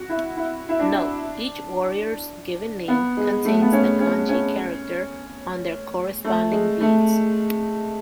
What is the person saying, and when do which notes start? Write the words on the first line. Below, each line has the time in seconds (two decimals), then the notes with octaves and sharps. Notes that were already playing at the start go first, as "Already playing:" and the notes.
Note: each warrior's "given name" contains the kanji character on their corresponding bead.
Already playing: F#4
0.09 E4
0.37 E4
0.69 E4
0.79 D4
2.88 B3
3.17 G#3
3.45 A3
3.62 B3
3.73 C#4
4.00 C#4
4.29 C#4
6.25 A3
6.52 G#3
6.80 A3